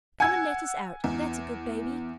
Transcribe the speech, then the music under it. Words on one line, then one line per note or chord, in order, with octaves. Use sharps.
Come and let us out, that's a good baby.
F#5 G#5 E6 G#6
E2